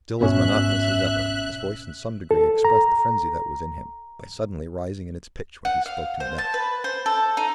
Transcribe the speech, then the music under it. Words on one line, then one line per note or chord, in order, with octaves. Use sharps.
Still as monotonous as ever, his voice in some degree expressed the frenzy that was in him, by suddenly rising in its pitch when he spoke to me next.
G#1 B2 C#4 E5 F#6
A4
A#5
F#5
F5
C5
A5
B4
C5
A4
D#4